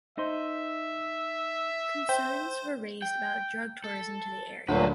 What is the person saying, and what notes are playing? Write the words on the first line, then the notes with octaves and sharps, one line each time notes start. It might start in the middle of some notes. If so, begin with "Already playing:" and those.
Concerns were raised about "drug tourism" to the area.
D#4 C5 E5
C5 G5
G5
A4
D2 G2 A#2 F#3 B4 C5